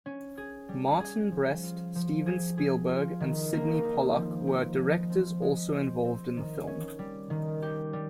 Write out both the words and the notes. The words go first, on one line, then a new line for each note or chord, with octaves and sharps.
Martin Brest, Steven Spielberg, and Sydney Pollack were directors also involved in the film.
C#4
G#4
G3
G#4
F3
F4
F3
G#4
G#4
F4
D#3
A#3
D#4
F3
F3
G#3
C4
G#3
C4
C4
D#3
C#4
G3
D#3
G4
G3